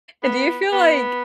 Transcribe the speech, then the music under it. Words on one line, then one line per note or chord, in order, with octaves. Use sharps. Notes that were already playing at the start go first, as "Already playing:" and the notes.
And do you feel like
B3
B3